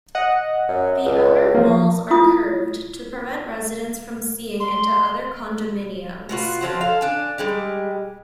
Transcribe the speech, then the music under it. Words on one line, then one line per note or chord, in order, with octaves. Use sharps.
The outer walls are curved to prevent residents from seeing into other condominiums.
D#5 F#5
F#2
C#2
F3 A#3
E4 F4 D#6
C6
B2 F4 F#4
F3 F#3 C4
A4 F5
D4 G#5
G3 G#3 G4